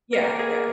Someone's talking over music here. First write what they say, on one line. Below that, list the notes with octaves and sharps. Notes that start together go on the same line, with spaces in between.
Yeah, yeah.
A#3 A#4
G#4